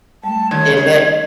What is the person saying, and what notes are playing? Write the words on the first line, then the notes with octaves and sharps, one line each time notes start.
Did it?
G3 A3 A5
D#2 G#6